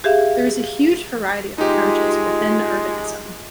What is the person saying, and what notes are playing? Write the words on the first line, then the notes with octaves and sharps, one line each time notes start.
There is a huge variety of approaches within urbanism.
G4 G#4 E5 F5
G#3 D#4 F4 G4